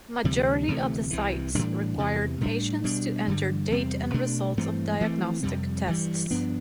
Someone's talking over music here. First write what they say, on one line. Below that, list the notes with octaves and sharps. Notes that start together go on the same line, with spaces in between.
Majority of the sites required patients to enter date and results of diagnostic tests.
D2 C3 E3 G3
D2 C3 E3 A3
C2 C3 E3
A2 E3 G3 D4
E2 C3 E3
A2 G3 D4
B2 G3 D4
G2 D3 G3
E2 C3 G3 C4
B2 A3 D4
G2 E3 A3 C4
G2 E3 A3 C4
F2 C3 G3
G2 E3 G3
G2 F3 B3 D4